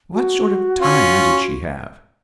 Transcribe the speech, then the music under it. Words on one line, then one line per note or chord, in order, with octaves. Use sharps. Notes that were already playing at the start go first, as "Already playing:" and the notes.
What sort of time did she have?
F#4
C#4 F4